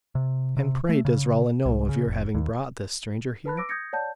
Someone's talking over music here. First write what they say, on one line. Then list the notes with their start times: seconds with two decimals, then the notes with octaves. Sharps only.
"And, pray, does Rowland know of your having brought this stranger here?"
0.15 C3
0.57 C3
0.89 A3
1.05 C#3
1.65 C2
1.89 C#3
2.08 F1
2.34 D#2
3.46 B4 A5 B5 F#6
3.57 D6 E6 A#6 D7
3.69 D#6 G6 G#6 A#6 C#7
3.93 C#5 D5 F#5 A5 G6